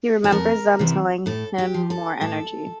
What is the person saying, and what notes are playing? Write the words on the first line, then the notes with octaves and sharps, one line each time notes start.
He remembers them telling him, More energy!
A4
F2 A#4
C3 E3
A2 A4
G4
F3
A4
A2 A4